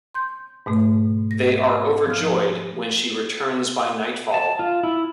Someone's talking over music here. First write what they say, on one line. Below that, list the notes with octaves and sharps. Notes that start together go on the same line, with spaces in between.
They are overjoyed when she returns by nightfall.
C6 G6
G#2 B2 A3
A#6
F3 F6
A5
F4
E4